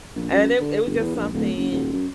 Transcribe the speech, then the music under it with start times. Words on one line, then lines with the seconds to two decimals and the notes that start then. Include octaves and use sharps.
And it it was just something
0.16 A#1
0.31 F#2
0.60 D3
0.86 G1
0.99 E2
1.15 A#1
1.33 D1
1.56 F#1
1.71 D#1
1.93 F#2